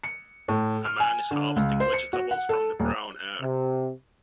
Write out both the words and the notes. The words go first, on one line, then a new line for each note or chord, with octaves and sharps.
A man is harvesting vegetables from the brown earth.
C#7
A2
F6
G#5
D3
C#2
C5
C#7
F#4
F#5
A4
D#1
C3